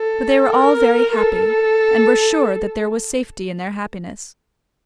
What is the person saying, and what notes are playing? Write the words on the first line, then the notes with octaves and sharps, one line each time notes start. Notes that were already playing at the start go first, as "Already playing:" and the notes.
But they were all very happy, and were sure that there was safety in their happiness.
Already playing: A4
A#4
A4